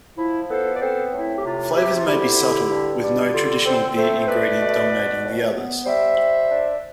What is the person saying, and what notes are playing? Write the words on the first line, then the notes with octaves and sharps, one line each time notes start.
Flavours may be subtle, with no traditional beer ingredient dominating the others.
F3 E4
B3 A4 C5
D5
C4 A4 C5
A2 E4
G4
C3 F4
C3 E4 G4
F4
D2 E4 G4
D3
G2
G3
D3 F4 A4
C4 A4 C5
A3 A4 C5
C5
A3 B4 D5
B2
B2
A2
B3
G3 C5 E5
G3
D4